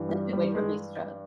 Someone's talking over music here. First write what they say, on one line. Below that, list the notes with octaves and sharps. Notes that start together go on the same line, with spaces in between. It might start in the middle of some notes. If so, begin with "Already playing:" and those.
That's a good way to release stre
Already playing: G2 E3
G3
G3
G#3